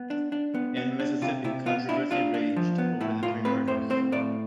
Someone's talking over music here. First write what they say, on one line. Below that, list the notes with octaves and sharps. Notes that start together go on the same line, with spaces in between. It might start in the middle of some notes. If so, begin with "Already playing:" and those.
In Mississippi, controversy raged over the three murders.
Already playing: B3
D4
D4
B3
B3
D4
C3 F4
C3 E4
B3 F4
D4 E4
D4 F4
D4
F3
B3
A2 E4
A2 F4
C4 B4
A2 C5
C4 C5
A2 D5